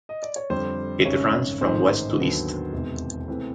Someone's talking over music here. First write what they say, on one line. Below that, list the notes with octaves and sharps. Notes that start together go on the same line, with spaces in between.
It runs from west to east.
D#5
D5
C#5
F2 D3 G3 C5
G#1 F#2 C#3 C#5
A1 G#2 D#3 C5
D#2 D3 F#3 B3
E1 E2 C3 D#3
E2 C3 E3 A3 C4 B4